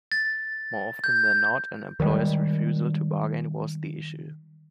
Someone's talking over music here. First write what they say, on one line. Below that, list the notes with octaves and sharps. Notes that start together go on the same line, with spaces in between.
More often than not, an employer's refusal to bargain was the issue.
A6
G6
D#3 F3 G3 G#3